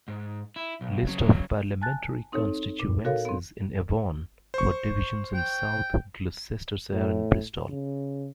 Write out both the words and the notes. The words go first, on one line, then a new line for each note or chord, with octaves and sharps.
List of Parliamentary constituencies in Avon for divisions in South Gloucestershire and Bristol.
G#2
E4
B1
C#3 F#3
G#5 A5 F#6 A6
C4 D#4 A4 C#5
A#2
F#4 A4 A#4 C#5 F5
B3 C4
C5 C#6
G5
A2
C#3